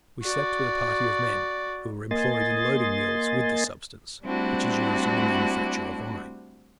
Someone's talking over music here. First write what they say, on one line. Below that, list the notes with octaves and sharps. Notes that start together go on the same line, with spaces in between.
We slept with a party of men, who were employed in loading mules with this substance, which is used in the manufacture of wine.
F#4 D5
A#3 D#5 G#5 C6 A6
G3 A3 C4 D4 E4 F#4